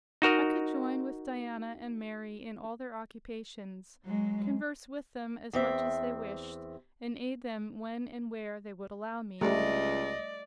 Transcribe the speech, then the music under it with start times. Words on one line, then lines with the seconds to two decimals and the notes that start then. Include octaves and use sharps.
I could join with Diana and Mary in all their occupations; converse with them as much as they wished, and aid them when and where they would allow me.
0.22 D#4 F#4 A#4 D#5
4.04 F#3 G#3
5.53 E2 C4 E5
9.41 C#2 G3 A3 D5 D#5